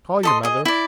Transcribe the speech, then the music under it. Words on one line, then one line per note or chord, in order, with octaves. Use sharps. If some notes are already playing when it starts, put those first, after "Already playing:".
Call your mother.
A4 D#5 C6
G#4 D#5
E4 D5